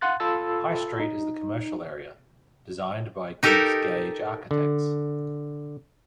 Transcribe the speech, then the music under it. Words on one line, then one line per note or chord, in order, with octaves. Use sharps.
High Street is the commercial area, designed by Gibbs Gage Architects.
F5 F#5 C6 F#6 A6
F4 A4 B5 E6 A6
D#4
D#4 G4 A4 A#4
D3